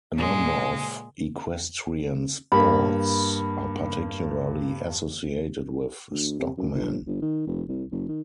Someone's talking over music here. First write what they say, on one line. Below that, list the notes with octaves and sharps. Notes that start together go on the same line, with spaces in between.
A number of equestrian sports are particularly associated with stockmen.
A#2 G#3
G2 A#3 B5
D2
C3
F#2
G1
G1
D#3
F1
C2
F#1
D#3